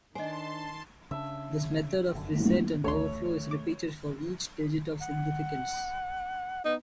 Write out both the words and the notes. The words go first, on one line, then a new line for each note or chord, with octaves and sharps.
This method of reset and overflow is repeated for each digit of significance.
D#3 D4 C5 D#5 G#5 A5 C6
C#3 C4 D4 E5
F1 F#2 D3
A1 D2 A3 C#5 C6
D6
F#5
B3 D#4